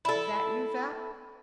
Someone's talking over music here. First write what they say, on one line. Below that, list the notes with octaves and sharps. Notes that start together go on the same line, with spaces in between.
"Is that you, Vapp?"
E4 A4